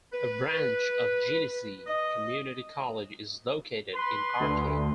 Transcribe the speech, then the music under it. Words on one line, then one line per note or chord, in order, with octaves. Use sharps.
A branch of Genesee Community College is located in Arcade.
B4
D#5
B4 C6
D2